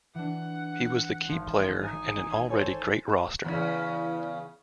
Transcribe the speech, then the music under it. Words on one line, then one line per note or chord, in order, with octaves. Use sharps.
He was the key player in an already great roster.
E3 D4 F#5
G#1 F3 G#6
D#4 G#5
A4 C5 C#5 G#5
E2 C#3